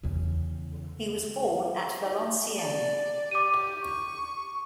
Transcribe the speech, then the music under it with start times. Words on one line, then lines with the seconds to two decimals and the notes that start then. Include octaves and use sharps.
He was born at Valenciennes.
0.03 E2 C#3
2.56 D5
3.31 G4 D6 D#7
3.81 C#6